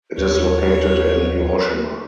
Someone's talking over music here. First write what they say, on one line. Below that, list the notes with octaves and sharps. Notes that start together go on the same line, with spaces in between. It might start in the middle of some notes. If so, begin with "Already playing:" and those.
It is located in Hiroshima.
D#2 B4 C#5